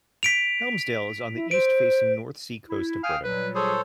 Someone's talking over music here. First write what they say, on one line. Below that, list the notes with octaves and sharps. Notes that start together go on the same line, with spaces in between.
Helmsdale is on the east-facing North Sea coast of Britain.
B6 D7 F7
E4
C5 D7
E4
F5 G5 G#5 D#6
A#2 F#3 G3 B4
G#4 A4 C5 C#5